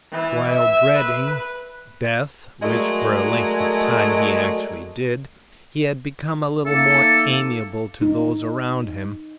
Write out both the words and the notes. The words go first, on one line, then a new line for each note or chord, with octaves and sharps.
While dreading, death--which for a length of time he actually did--he had become a little more amiable to those around him.
E3
E5
B4
F#3 G#3 A3 A#4 D5 D#5
A3 A#3 D#4 A4
D#4